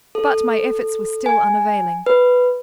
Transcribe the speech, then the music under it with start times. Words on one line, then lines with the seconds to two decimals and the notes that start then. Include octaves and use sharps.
But my efforts were still unavailing.
0.15 A4
1.26 G#5
2.06 B4